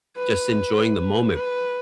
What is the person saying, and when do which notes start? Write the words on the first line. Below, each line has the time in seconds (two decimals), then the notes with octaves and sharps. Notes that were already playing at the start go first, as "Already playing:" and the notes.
just enjoying the moment.
0.17 B4
0.76 B4
1.34 B4